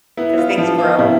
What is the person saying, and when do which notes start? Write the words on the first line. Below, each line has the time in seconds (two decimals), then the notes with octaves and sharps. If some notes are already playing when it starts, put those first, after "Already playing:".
'Cause things grow?
0.17 B3 E4
0.38 F4
0.50 E4
0.58 F3 F4
0.78 F4
0.99 C3 E4